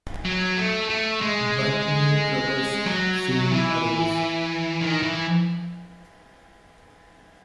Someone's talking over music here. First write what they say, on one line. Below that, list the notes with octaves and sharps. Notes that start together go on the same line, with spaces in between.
But new troubles soon arose.
F#3
A3
A3
G#3
F#3
E3
D#3
E3